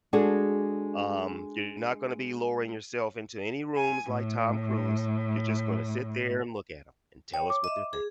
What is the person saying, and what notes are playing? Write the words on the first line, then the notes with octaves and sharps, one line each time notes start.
um, you're not gonna be lowering yourself into any rooms like Tom Cruise, you're just gonna sit there and look at 'em and tell us what they're think"
G#3 D4 F#4 G#4 A4
G#5
A2
C#5 G5
D6
D#5 E5
G#4